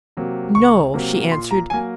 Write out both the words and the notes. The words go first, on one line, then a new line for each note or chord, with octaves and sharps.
"No," she answered.
C3 F#3 A#3
C#2 C#6
C3 F#3 A#3
A#2 C6
A#5
F#3 A#3 G#5